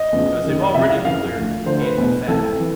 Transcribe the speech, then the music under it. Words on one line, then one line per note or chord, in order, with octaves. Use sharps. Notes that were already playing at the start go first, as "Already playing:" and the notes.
'Cause they've already declared Antifa,
Already playing: D#5
E2 C#3 F3
F#2 D#3
C#2 C3 F3 E5
F5
F#2 C#3 E3 F5
D2 D3 F3
D2 D3 F3 C5
B4
E2 B2
C2 C3 E3 A4
E3